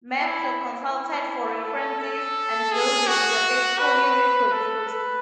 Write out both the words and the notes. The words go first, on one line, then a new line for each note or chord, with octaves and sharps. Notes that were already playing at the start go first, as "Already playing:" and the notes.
Maps were consulted for references and buildings were faithfully reproduced.
E4
E4
A4
A4
G#4
F#4
B4
A4
B4